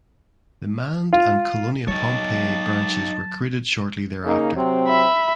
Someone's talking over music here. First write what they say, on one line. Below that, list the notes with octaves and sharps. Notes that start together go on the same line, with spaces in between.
The Mand and Kolonia Pohnpei branches were created shortly thereafter.
F4
F#3 D#4 C#5 A5
C#3 A#3 D#4
C3 F#3 C4
E5 B5